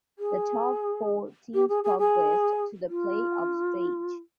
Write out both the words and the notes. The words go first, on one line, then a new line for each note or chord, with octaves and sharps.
The top four teams progressed to the playoff stage.
G#4
G4
G#4
G#4
G#4
F4